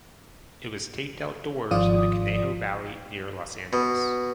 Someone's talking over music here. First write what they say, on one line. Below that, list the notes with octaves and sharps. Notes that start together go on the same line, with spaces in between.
It was taped outdoors in the Conejo Valley near Los Angeles.
G#1 F3 F4 D5 D#6
B2